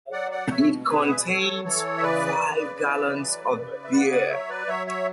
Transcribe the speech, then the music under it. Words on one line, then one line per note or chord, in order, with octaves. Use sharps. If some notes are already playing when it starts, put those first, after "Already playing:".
It contains five gallons of beer.
F#3 D5 F#5
D5 F#5
B2 C#5 E5
B2 G#4 B4
F#5
E5
D5
F#3 A4 C#5
E3 A4 C#5
E5
C#3 B4 D5
C#3
E3
F#3
C#3
E5
C#3 D5 F#5
D5 F#5
F#3 C#5 E5
B4 D5
F#3 C#5 E5
C#5 E5